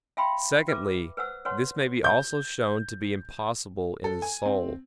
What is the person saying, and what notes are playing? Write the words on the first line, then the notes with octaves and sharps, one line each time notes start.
Secondly, this may be also shown to be impossible in the soul.
E5 F5 G5 B5 C6
B4 E5 D6
B4 C5 F#5 E6
B4 C#5 F#5 C6
G6
A4
G#5
C4